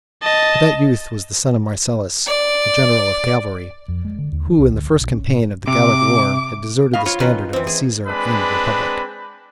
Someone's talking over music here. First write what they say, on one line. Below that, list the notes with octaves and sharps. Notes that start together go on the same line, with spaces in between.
But that youth was the son of Marcellus, the general of cavalry, who, in the first campaign of the Gallic war, had deserted the standard of the Caesar and the republic.
D#5 A5
D5
F2
G#3
D3
D#2
D#3
C2
D2
D1
A#1
C#4
A2
C3 D6
B2 F5
F4 C#5
D#3 C#4 B4
E3 C4
G#4
G#3 C4 D4 B4 B5